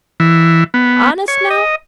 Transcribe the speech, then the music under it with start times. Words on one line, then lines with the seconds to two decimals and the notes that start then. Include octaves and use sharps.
"Honest, now?"
0.20 E3
0.74 B3
1.28 C#5
1.50 D#5